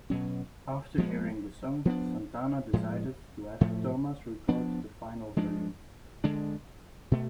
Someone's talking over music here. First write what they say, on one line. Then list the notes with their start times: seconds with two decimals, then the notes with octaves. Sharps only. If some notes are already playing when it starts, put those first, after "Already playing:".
After hearing the song, Santana decided to have Thomas record the final version.
0.10 B2 F#3 C#4
0.98 F3 G#3 B3
1.85 F3 B3 D4
2.73 A2 F3 G#3
3.61 A2 F3 A3
4.49 F3 B3 D4
5.36 F3 G#3 D4
6.24 D3 G#3 D4
7.11 B2 A3